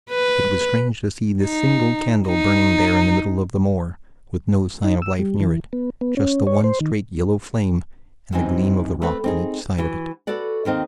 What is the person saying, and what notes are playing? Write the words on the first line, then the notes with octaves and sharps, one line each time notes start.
It was strange to see this single candle burning there in the middle of the moor, with no sign of life near it--just the one straight yellow flame and the gleam of the rock on each side of it.
B4
D#4
D#4
D#4
E6
G3
E3
B3
B3
C#4
C#5
C5
D#3
F#2 C3 E3 C4 D#4 G#5
A3 C4 B4
C4 D#4 G#4
E3 F#4
F#4 A4 B4 D5 F#5
D#2 D#3 C4 D#5